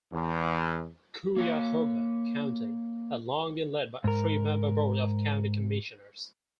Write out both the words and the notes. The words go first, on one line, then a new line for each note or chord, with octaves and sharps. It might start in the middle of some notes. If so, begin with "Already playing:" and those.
Cuyahoga County had long been led by a three-member Board of County Commissioners.
E2
A#3 C#5 F5
G#2 A#4